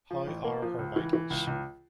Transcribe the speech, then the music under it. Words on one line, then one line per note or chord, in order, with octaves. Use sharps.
How are her vitals?
F3
A1
A#3
F3
C#2
E3
E3
C#2
C#2